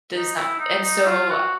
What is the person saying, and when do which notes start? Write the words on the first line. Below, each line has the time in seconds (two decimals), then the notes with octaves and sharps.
Does that and so
0.13 D#4
0.36 E4
0.59 D#4
0.83 D#4
1.06 F4
1.30 F#4